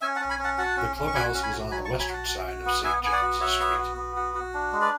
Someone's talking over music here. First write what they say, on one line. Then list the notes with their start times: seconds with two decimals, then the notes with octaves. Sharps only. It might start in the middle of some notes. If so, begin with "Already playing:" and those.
The clubhouse was on the western side of Saint James's Street.
0.01 C#4 E5 G#5
0.16 F#5 A5
0.21 C#4
0.30 G#5 B5
0.39 C#4
0.44 F#5 A5
0.58 F#4 F#5 A5
0.77 C#4
0.96 C#4
1.07 C#6
1.15 F#4 G#5 B5
1.34 C#4
1.43 G#5 B5
1.52 F#4
1.71 F#3 G#5 B5
1.85 A5 C#6
1.90 F#3
1.99 G#5 B5
2.09 F#4 F#5 A5
2.28 F#4
2.46 F#4
2.65 B3
2.84 B3 E5 G#5
3.03 B3 G#5
3.12 D5 F#5
3.22 F#4
3.40 F#4 C#5 E5
3.60 B3
3.79 F#4
3.97 B3
4.16 F#4
4.35 F#4
4.54 D4
4.73 G#3
4.81 B4 D5